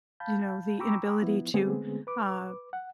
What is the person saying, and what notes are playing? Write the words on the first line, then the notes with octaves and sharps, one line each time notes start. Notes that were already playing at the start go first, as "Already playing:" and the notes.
you know, the inability to, uh,
F5 A5 B5 G6
G5 A#5 B5 C#6 D6 E6
F3 B3 E4
D3 G#3 A3 B3 C4 G#4
B4 D6
F#5